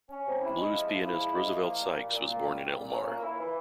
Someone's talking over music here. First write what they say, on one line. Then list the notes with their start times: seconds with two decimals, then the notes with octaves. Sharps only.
Blues pianist Roosevelt Sykes was born in Elmar.
0.09 C#4
0.26 C3
0.41 E4
0.57 G#3
0.72 F3
0.88 F3
1.03 E4
1.20 G#3
1.35 F3
1.51 F3
1.66 A#3
1.82 G3
1.97 A#2
2.14 A#2
2.28 A#3
2.44 G3
2.60 A#2
2.75 A#2
2.91 C#4
3.06 A#3
3.22 E4
3.39 E3